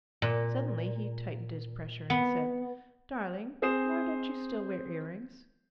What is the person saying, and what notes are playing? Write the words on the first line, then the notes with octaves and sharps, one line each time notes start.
Suddenly he tightened his pressure, and said, "Darling, why don't you still wear ear-rings?"
A#2
B3
C4 G#4 C5 D#6 C7 E7